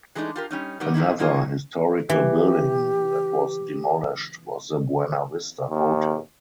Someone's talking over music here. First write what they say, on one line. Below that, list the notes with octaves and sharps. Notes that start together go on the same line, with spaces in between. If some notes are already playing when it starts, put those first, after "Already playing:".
Another historical building that was demolished was the Buena Vista Hotel.
E3 G#3 A3 D4 D#4
F4 G4 A#4
G3 C#4 D#4
D#3 G3 B3
C3 D#3 D#4 E4
F#3 A#3 D#4 F4 G#4
E3 G4
D#2